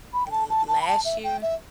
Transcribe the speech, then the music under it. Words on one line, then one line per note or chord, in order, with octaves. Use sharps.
l last year
B5
G5
A5
A5
A5
B5
A5
E5
G5
E5